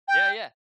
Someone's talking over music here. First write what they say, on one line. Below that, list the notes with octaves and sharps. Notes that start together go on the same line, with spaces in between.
Yeah, yeah.
G5